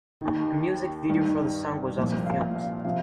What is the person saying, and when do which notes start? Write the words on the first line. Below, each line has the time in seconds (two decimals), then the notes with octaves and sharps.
A music video for the song was also filmed.
0.21 D#2 D#3
1.09 G2 D#3
1.97 C2 A#2 F3
2.26 F5
2.55 F5
2.85 C3 F3 F5